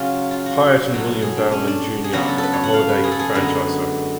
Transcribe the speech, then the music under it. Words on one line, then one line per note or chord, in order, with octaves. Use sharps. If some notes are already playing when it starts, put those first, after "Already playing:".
Pyatt and William Bowman Junior a Holiday Inn franchise owner.
Already playing: C#3 F#3 C#4 F4
F4
F#4
B2 F#3 A3
G#4
D4
C#4
D4
G#4
C#3 F#3 B3 F#4
A4
A4
B4
C#5
F#5
F5
B4
G#4
A4
G#4
F#2 D3 G#3 B3